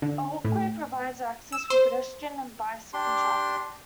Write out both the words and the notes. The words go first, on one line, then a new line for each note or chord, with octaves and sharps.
A walkway provides access for pedestrian and bicycle traffic.
D3
A2
E6
C5
D4 G4 C6